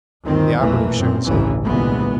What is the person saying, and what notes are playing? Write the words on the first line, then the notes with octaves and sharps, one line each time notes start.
The operative shook his head.
G1 D#2 D#3 C4
B1 F2 A#2 E3 A3 A#3
F#2 A#2 C4
A1 D2 G2 C#3 E3
G1 C2 A#2 E3 G#3 B3